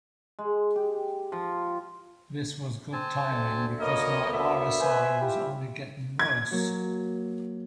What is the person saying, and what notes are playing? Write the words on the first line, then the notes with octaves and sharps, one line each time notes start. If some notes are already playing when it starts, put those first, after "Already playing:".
This was good timing, because my RSI was only getting worse.
G#3
G4
F3
C4 G#5 A5
D2
A#3 B3 A#4 C#5 D#5
E5
B4 C5 G#5
E4 F4 G4
G#6
F#3 A#3